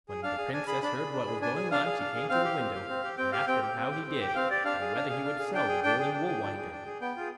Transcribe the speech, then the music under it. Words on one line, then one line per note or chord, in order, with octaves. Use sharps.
When the Princess heard what was going on, she came to the window, and asked him how he did, and whether he would sell the golden wool-winder?
G#4
D4 F5
G#4
D4 G#5
G#4 B5
D4 B5
G#4
D4
G#4
D4 G#5
G#4
D4 F5
G#4
D4
G#4
C4 F5
G4
C4
G4
C4
G4
C4 G5
G4 F5
C4 G5
G4
C4
G4
C4
G4
G5
C4 F5
G4 D5
D4 F5
G#4
D4
G#4
D4
G#4
D4 G5
G#4
D4 G5
G#4
D4
G#4
D4
G#4
D4
G#4
B3 G5
F4 G#4